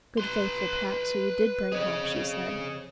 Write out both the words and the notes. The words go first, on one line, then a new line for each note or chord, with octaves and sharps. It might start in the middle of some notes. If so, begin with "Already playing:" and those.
"Good faithful Pat, so you did bring help," she said.
B4 C6
F2 G#4 C#5